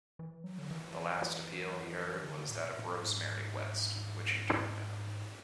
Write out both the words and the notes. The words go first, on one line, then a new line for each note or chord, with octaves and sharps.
The last appeal he heard was that of Rosemary West, which he turned down.
E3
F#3
D3
E3
D3
A2
B2
A2
G#2